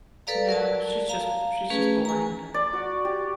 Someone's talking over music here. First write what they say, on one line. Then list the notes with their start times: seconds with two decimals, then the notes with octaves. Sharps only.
No, she's just she's just boring.
0.27 A4 B4 D5 F5 A#5
0.49 A#4 D5 A5
1.09 F5 A#5
1.70 A3 C#4 G#4 B4
2.05 G#5 A#5
2.54 D5
2.73 F#4
3.05 G4